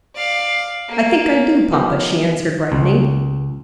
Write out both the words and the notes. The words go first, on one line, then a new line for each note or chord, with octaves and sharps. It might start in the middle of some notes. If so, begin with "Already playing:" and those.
"I think I do, papa," she answered, brightening.
D5 F5
A#3
F3 B3 D#4 G4 A#4
C#2